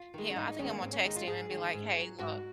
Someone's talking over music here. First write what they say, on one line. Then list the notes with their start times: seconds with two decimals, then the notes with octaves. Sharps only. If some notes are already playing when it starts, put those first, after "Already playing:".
him I think I'm gonna text him and be like, "Hey, look"
Already playing: F4
0.14 D#3 G#3
0.30 C#4
0.36 G#2 D#4
0.48 D#4
0.59 D#3 G#3 C#4
0.70 A#3
0.82 G#2 C4
0.93 C#4
1.05 D#3 G#3 D#4
1.16 F4
1.27 G#2 G#4
1.50 D#3 G#3
1.73 G#2
1.96 F#3
2.18 G#2 F#4